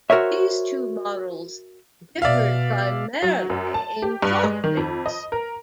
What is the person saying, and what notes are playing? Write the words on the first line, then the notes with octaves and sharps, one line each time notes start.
These two models differed primarily in clock rates.
F#4 A#4 C5 C#5 E5
B2 D5 E5 F5
F#3
F#2
A5
G4
G2
G#3
D#3
F2
D#5
A#4